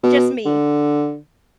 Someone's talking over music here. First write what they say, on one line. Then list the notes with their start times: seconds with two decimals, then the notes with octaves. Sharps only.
just me.
0.03 B2
0.45 D3